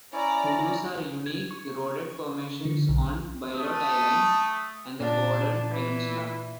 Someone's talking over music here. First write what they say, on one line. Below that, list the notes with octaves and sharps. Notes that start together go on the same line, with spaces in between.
Hoodoos are unique eroded formations on Bylot Island and the Borden Peninsula.
C#4 E4 D5 A#5
G#6
C#6
D3
B1
A3 D#6
A#2 D4
E3